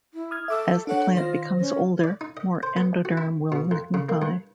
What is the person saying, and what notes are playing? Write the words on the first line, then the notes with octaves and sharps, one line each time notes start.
As the plant becomes older, more endoderm will lignify.
E4
D#6 F6 G#6
A4 E5 D6 E6
D4 A4 C#5 F#5
D#3 F4 C5 A#6
C#4
D5
D#4
D#5
C5
B3
F#4
E4
B2
F2
C#3
A#3
G2